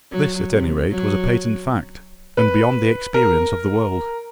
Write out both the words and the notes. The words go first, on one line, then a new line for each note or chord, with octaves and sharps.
This, at any rate, was a patent fact, and beyond the experience of the world.
F#3
C3
F#3
B4
A#4